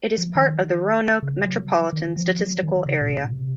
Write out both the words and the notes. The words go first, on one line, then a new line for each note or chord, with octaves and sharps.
It is part of the Roanoke Metropolitan Statistical Area.
F3
D#3
C#3
F#3
D#3
F3
F#3
D#3
C#3
A#2
C3